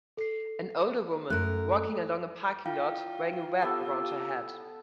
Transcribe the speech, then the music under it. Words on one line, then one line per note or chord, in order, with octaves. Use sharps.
An older woman walking along a parking lot wearing a wrap around her head.
A4 C7
F#2 A3 A#4 F#6
E4 F4 F5 G5
B3 G4 A4